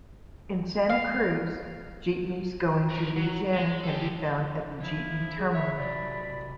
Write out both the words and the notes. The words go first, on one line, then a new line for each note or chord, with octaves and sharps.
In Santa Cruz, jeepneys going to Luisiana can be found at the jeepney terminal.
F5
A#4 B4
F#3
G#3
G4 A4
F3 E4
G#4
C#5 E5 B5
C3 F#3 D5